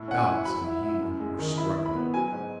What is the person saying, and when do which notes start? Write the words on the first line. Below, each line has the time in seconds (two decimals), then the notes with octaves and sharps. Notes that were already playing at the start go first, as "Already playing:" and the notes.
Doubts and he were struggling.
Already playing: A2 E4
0.08 C#4 F#5
0.17 G#5
0.26 E4
0.45 F#3 B5
0.64 E4
0.83 E4
1.01 F#2
1.20 G#3
1.39 D#3
1.58 E4 B5
1.76 E4
1.86 B5
1.95 B3
2.14 F#3 G#5
2.33 G#2